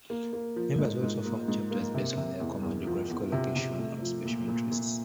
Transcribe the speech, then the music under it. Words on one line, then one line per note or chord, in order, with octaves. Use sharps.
Members also form "chapters" based on either common geographical location or special interests.
A#3
A#3
F3
G#2
G#2
A#3
G#2
A#3
C3
C3
E2
E2
F3
E2
C3
C3
A3
F3
A#2
A#2
A#2